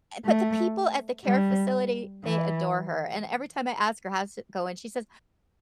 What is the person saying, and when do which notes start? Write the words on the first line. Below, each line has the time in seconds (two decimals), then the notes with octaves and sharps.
uh but the people at the care facility, they adore her, and every time I ask her how's it going, she says,
0.25 A3
1.24 G3
2.24 E3